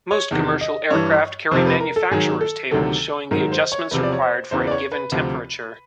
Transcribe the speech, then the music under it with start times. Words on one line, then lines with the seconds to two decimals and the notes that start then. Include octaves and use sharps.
Most commercial aircraft carry manufacturer's tables showing the adjustments required for a given temperature.
0.11 C#5
0.31 E2 C3 D#3
0.61 D#5
0.90 G2 E3 C#5
1.51 F2 C3 F3 C5
1.66 B4
1.80 A#4
1.96 A4
2.11 G#2 D#3 F#3 G#4
2.41 A4
2.71 D2 C3 D#3 F#3 A4
3.31 G#2 D#3 F#3 A#4
3.52 C5
3.72 C#5
3.91 E2 C3 F3 B4
4.03 D5
4.12 C#5
4.22 C5
4.51 E2 C#3 E3 C5
4.67 D5
4.71 C#5
4.92 B4
5.12 D2 C3 F3